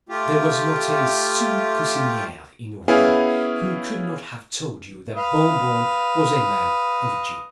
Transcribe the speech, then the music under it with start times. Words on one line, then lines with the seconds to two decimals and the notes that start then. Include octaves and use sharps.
There was not a sous-cusinier in Rouen, who could not have told you that Bon-Bon was a man of genius.
0.09 A3 F4 G4
2.88 B3 C#4 E4 G#4 F5 G#5
5.15 B4 D#5 F5